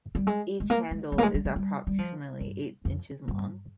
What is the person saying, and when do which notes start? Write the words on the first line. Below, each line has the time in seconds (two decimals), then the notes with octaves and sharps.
Each handle is approximately eight inches long.
0.15 G3
0.27 G#3
0.60 G#3
0.70 A#3
0.91 G#3
1.12 G3
1.18 A#3
1.23 G#3
1.34 G3
1.45 G#3
1.56 G3
1.87 G3
1.98 F3
2.41 G2
2.85 F2
3.28 G2